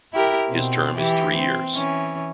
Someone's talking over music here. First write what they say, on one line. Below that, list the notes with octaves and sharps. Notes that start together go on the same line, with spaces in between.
His term is three years.
E4 G4 A#4
B2 C4
E3 G4
C4
E3 C#4